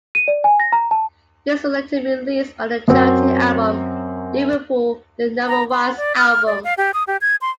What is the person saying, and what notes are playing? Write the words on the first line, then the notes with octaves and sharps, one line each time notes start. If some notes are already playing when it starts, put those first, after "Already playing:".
This was later released on the charity album "Liverpool - The Number Ones Album".
D#7
D5
G#5
A#6
A#5
A5
F#2 F#3 C4
A#5
C6
D5
F6
D5
F5
G4
D#6
G4
G#6
C6